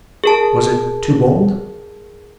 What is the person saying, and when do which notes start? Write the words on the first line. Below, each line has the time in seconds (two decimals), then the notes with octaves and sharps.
"Was it too bold?"
0.24 G#4 A#4 A5